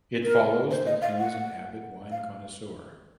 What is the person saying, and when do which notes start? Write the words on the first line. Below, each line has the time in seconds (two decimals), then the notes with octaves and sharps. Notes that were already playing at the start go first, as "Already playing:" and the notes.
It follows that he is an avid wine connoisseur.
0.24 A#4
0.71 C5
0.86 D#5
1.02 F5
1.18 F#5
2.12 F5